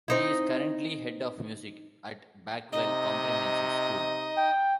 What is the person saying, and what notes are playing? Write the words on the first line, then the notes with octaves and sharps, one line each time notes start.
He is currently head of music at Backwell Comprehensive school.
C4 D#4 E4
C3 D#4 D#5
G5